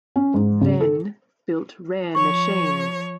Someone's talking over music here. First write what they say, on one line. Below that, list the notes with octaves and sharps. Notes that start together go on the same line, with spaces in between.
Venn built rare machines.
C#4
G#2
C#3
A4
F3 C#5 C#6